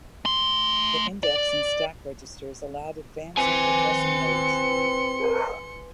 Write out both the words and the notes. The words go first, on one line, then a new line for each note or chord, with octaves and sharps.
The index and stack registers allowed advanced addressing modes.
A3 C6
D5
C4 B4 G#5 C6 C#7